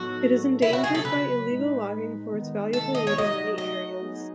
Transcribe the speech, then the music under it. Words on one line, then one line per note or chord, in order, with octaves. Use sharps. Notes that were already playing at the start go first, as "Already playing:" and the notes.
It is endangered by illegal logging for its valuable wood in many areas.
Already playing: A2 F#3 B3 D#4 F#4 A4
C#3 F#3 C#4 E4
F#4
G#4
A4
B4
A2 G#3 D#4
D#3 G#3 B3 D#4
A4
D#5
C#5
F#3 A3 D#4 F#4 D#5
D#5
F#3 B3 D#4 G#4